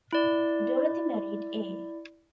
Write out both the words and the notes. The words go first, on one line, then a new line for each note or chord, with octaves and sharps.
Dorothy married A.
E4 D5